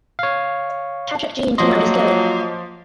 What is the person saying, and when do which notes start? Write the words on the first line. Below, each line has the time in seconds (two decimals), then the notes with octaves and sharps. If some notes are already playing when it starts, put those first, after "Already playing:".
Patrik Jean came out as gay.
0.19 C#5 F5
1.58 F3 F#3 A#3 D#5 C6